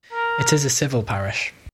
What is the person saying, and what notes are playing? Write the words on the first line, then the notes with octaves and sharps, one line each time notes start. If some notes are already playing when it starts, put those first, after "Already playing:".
It is a civil parish.
A#4